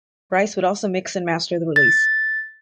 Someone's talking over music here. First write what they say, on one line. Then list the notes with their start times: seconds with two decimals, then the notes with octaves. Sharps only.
Bryce would also mix and master the release.
1.76 A6